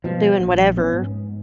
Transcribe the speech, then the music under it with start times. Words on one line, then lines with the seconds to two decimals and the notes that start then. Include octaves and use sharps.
doing whatever,
0.04 B2 F3
0.40 A#1
0.77 B3 C#4
0.93 G#2